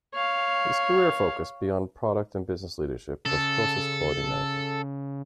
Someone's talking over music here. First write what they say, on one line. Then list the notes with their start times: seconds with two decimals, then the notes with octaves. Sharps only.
His career focus beyond product and business leadership was process quality management.
0.14 C#5 F5
3.26 C#3 A4